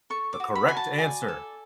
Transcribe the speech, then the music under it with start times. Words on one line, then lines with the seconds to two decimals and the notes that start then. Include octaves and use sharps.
the correct answer."
0.10 A4 C#6
0.33 D6
0.40 F#4
0.55 B5
0.68 F#4 G#5
0.77 A5
0.99 D5 G#5
1.28 A4